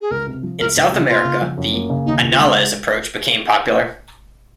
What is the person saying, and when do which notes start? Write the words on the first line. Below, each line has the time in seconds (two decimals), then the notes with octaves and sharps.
In South America the "Annales" approach became popular.
0.01 G#4
0.10 C#2 A#4
0.27 C3
0.43 F3
0.59 C#2 A#4
0.76 C#2
0.92 C3
1.08 A#3 F4
1.24 C#3
1.41 F3
1.57 F#2
1.73 A#3
1.90 C#3
2.06 D#2 D#4
2.22 C#3
2.30 F4
2.39 G#3